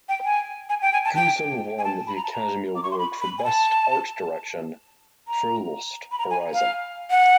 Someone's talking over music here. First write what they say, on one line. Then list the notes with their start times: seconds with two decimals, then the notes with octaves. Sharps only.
Goosson won the Academy Award for Best Art Direction for "Lost Horizon".
0.09 G5
0.25 G#5
0.69 G#5
0.82 G5
0.93 G#5
1.05 A5
1.16 G5
1.78 G#5
1.84 A5
2.07 B5
2.16 A#5
2.24 A5
2.32 A#5
2.76 D6
2.83 C#6
2.91 C6
2.99 B5
3.21 B5
3.39 G#5
3.44 A5
5.28 A#5
6.11 B5
6.19 A#5
6.30 G#5
6.54 F5
7.10 F#5